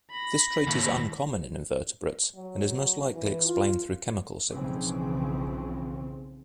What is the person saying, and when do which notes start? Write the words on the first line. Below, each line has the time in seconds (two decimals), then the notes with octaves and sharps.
This trait is uncommon in invertebrates and is most likely explained through chemical signals.
0.10 B5 A#6
0.67 D#2 A2
2.35 F#3
3.14 E3
3.47 F4
4.50 B1 G#2 C#3 E3 F3 C4